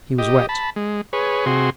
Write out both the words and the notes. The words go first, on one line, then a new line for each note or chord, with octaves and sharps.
He was wet.
G4 D#5
A5 B5
G#3
G#4 B4 C#5
C3 F#4 G#4 C6